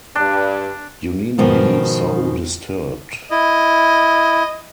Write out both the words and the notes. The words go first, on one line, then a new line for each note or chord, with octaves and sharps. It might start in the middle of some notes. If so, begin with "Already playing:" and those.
You needn’t be so disturbed.
G2 D4
G#2 B2 D#3 F3
E4 D#5